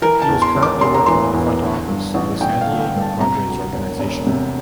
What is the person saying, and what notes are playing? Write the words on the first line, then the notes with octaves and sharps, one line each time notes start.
He is currently working in the front office of the San Diego Padres Organization.
E3 A#4
A5
E2
C6
E1
D6
E1 C6
A#5
E3 C6
E2
D3
G2
A1
A1 G5
F5
D3
G5
G2
A5
C3 A#5
D2
E1
E1
C3